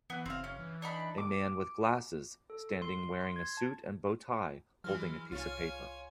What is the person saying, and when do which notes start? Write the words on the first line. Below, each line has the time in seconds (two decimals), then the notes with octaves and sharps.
A man with glasses standing wearing a suit and bowtie holding a piece of paper.
0.10 E3 B3
0.26 F#1 C4 F5
0.44 C#4
0.59 E3
0.82 D4 D#4 B5
1.18 D6
2.50 A4
2.82 C6
3.21 C6
3.36 G#6
3.57 A5
4.84 E3 F#3 G#3 F6
5.32 C2 F4 C#5 G#5